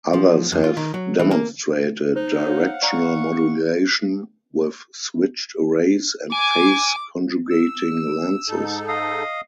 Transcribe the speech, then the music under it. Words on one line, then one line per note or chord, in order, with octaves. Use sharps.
Others have demonstrated directional modulation with switched arrays and phase-conjugating lenses.
F3
F2
F4
D#3
F#3
E3
A#3
D#4 C5
C#5 F5 F#5
D5 A#5 C#6
G#5 D6
E6
G#2 D#4 A4
D#5 F5 D#6